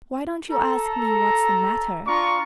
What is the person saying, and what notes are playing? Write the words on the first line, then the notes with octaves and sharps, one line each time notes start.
"Why don't you ask me what's the matter?"
A4 A#5
D4 F4 A#5 C#6